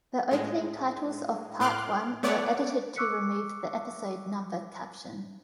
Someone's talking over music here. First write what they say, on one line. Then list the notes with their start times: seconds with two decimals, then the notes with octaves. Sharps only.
The opening titles of Part One were edited to remove the episode number caption.
0.31 A2 G#3
1.60 A2 C6 D6 F6 F#6
2.23 A3 B3 C#5 D5 F#5
2.96 C#6 D6 E6 F#6 B6 C#7